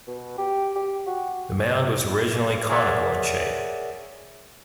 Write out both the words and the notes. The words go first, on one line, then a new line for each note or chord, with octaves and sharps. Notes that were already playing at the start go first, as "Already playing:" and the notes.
The mound was originally conical in shape.
B2
G4
G4
F#4
G#4 A#4 C#5 D5 E5 F#5